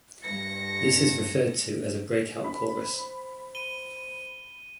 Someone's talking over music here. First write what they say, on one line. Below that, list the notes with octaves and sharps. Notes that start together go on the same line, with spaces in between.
This is referred to as a breakout chorus.
G2 A#6 C#7
C5 B5
D#7 G7